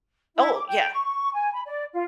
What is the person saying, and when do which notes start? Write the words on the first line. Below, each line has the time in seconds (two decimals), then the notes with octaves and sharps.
Oh, yeah.
0.36 E4
0.53 D6
0.68 G5
0.92 C#6
1.33 G#5
1.52 B5
1.65 D5
1.93 F4